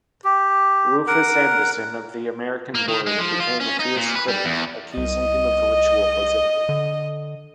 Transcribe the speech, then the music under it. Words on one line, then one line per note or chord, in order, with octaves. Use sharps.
Rufus Anderson, of the American Board, became a fierce critic, accusing him of ritualism.
G4
A#4 F#5
A#3
D#3
G#3
F3
F4
C#4
D#4
A#2
B4
G3
E2
C2 D#5
D3